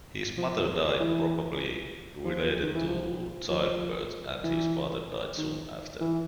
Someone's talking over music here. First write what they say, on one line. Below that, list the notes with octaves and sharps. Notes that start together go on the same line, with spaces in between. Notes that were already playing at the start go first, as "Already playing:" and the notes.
His mother died probably related to childbirth, and his father died soon after.
F3
E3
F3
D#3
E3
F3
F3
E3
D#3
E3